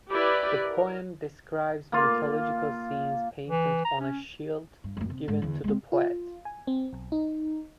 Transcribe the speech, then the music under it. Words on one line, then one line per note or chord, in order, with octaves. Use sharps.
The poem describes mythological scenes painted on a shield given to the poet.
E4 G4 B4 D5
A#4
A#3 F4
E3
A#5
C#4
G2
F#2 A2
C3
G#2
E2 D3
G#3 C4
F4
G#5
C4
B1
D#4